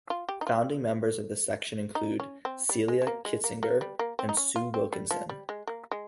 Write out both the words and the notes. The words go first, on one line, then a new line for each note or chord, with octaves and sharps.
Founding members of the Section include Celia Kitzinger and Sue Wilkinson.
F4
G4
D#4
F4
D#4
C#4
C4
G3
G#3
G#3
A#3
G#3
A#3
A#3
G3
A#3
C4
D#4
C#4
F4
C4
G3
F3
G3
G#3
A#3
G#3